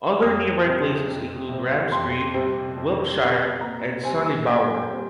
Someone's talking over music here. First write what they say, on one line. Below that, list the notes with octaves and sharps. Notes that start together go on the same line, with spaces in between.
Other nearby places include Ramsgreave, Wilpshire and Sunnybower.
F2 D#6
C3 G3 C4
F2
C3 G3 C4
F2 C6
C3 G3 C4
F2
C3 G3 C4
A#2 A#5
G3 C4 G#5
A#2 G5
G3 C4